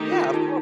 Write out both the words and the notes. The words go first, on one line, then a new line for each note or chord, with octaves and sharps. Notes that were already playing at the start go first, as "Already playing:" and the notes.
Yeah, of course.
Already playing: D#3 A3 D#4 G4
F4
D#4